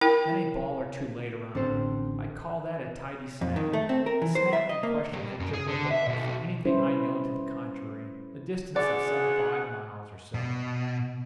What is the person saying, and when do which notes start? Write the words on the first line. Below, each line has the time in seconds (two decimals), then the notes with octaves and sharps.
Then a ball or two later on, "I call that a tidy smack." The "smack" in question had driven the ball, for anything I know to the contrary, a distance of some five miles or so.
0.01 E4 A#4 G5
1.55 A1 D3 C4 A4 C5
3.41 F2
3.56 D#3
3.73 A3
3.89 C4
4.06 A#4
4.22 E3
4.35 C5
4.53 E5
4.69 D#5
4.83 A#3
5.13 G2
5.40 F#2
5.54 G#4
5.68 D3
5.91 E5
6.07 B1
6.65 G3 C#4 E4 B4 C5
8.76 D2 G#4 D5 F#5
10.34 B2